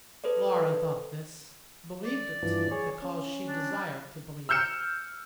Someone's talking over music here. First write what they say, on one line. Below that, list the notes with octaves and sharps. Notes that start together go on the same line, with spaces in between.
Laura thought this, believed it; because she desired to believe it.
A4 B4 C5 D5
D5
G2 E3 F3
G#4 C#5
C#4
D4
E6 F6 G6 C#7 E7